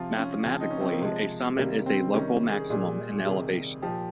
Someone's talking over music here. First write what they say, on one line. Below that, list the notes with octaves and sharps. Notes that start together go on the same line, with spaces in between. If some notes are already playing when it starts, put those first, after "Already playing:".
Mathematically, a summit is a local maximum in elevation.
Already playing: C3 F3 F4
C#4
C#3 F3 C4
D#4
C#4
C4
A#3
C3 F3 G#3
C3 D#3 G3 A#3
C4
C3 D#3 G3 C#4
G#4
A#2 G3 G#4
C3 D#3 G3 G#4
A#2 F3 G4